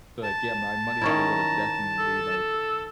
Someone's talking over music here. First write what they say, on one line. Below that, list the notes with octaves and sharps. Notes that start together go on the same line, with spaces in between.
so, like, yeah, my money habit would have definitely, like
A5
D#3 C#4 E4 A#5
A4